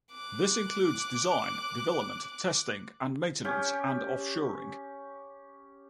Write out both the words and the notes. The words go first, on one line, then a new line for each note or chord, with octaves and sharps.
This includes design, development, testing and maintenance, and off-shoring.
D6 F#6
C#4 G4